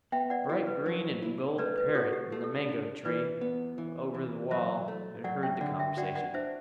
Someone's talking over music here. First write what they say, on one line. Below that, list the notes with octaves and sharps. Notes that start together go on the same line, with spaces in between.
A bright green and gold parrot in the mango tree over the wall had heard the conversation.
B3 E5 G5
D5 F#5
E4 G4
B4
F#3 C5
E4
A3 B4 D5
B4
G4
F#4 A4
G4
A3 G4
A4
G4
D4
E3 B4 D5
B3
E3
E3
F#3 C5 E5
A3
F#3 D5 F#5
E5 G5
D3 D5 F#5
E5 G5
F#4 D5 F#5
D5 F#5
D4 C5 E5